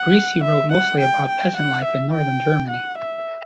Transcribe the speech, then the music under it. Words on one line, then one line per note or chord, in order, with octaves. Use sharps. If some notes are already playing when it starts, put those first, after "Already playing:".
Griese wrote mostly about peasant life in northern Germany.
Already playing: F#5
E5
F#5
G5
G5
F#5
E5
G5
F#5
E5